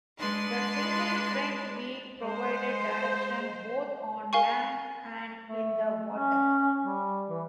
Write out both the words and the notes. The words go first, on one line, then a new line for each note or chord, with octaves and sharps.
The single front wheel provided direction, both on land and in the water.
G#3 D4 B4 C6
G#3 C5
A#4 F5 G#5 C#6
A3
C#4
G3
E3